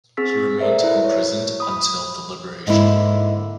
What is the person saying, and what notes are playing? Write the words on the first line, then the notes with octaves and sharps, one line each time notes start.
He remained imprisoned until the liberation.
C4 G#4 E6 B6
A4 A#4 C5 D5 E5
E4 B4 E5
C#5
B5 D#6
G#2 D3 A#3 E4